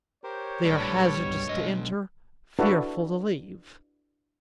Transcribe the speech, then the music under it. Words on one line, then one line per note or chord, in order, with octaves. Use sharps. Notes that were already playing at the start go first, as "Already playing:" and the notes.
They are hazardous to enter, fearful to leave.
G4 A#4 C5 C#5
A#1 A2 G3 A4 B4 D5 D6
G1 C2 B2
B1 D3 G#3 D#5
D4 E4 F#4 A4 B4